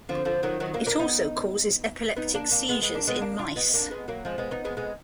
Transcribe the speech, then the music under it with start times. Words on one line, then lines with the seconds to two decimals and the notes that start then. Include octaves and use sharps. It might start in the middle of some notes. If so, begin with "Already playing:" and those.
It also causes epileptic seizures in mice.
0.09 D3 F3
0.25 D3 F3
0.43 D#3 F#3
0.60 D#3 F#3
0.74 F#3 A#3
0.86 A#3 D4
0.99 B3 D#4
2.16 B3 D#4
2.34 A#3 D4
2.51 A#3 D4
2.69 G#3 B3
2.82 G#3 B3
2.95 A#3 D4
3.07 G#3 B3
3.21 A#3 D4
3.39 D4 F4
3.56 B3 D#4
3.74 A#3 D4
3.90 G#3 B3
4.08 F#3 A#3
4.25 F3 G#3
4.38 G#3 B3
4.51 B3 D#4
4.65 G#3 B3
4.77 G#3 B3